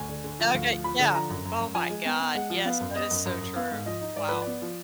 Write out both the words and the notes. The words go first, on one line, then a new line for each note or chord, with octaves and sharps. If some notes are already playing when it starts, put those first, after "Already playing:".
Okay. Yeah. Oh my god. Yes, that is so true. Wow.
Already playing: D2 G#5
D3
D3
F3
D2 F5
F3
F3 B5
D3
F3 A#5
F#2
F#2
F#2
F3 G#5
G#3
B3
B3
G#3 F#5
F3
B3 F5
F#2
B3 D#5
F#2
F#2
F#2
B3 F5
G#2
F3 D#5
D#4
G#2 D5
F3 B4
D5
B3
F3